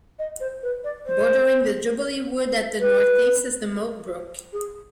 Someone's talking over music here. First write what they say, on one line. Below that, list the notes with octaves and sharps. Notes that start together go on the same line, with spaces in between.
Bordering the Jubilee Wood to the North East is the Moat Brook.
D#5
C5
B4
D5
C5
B4
G#4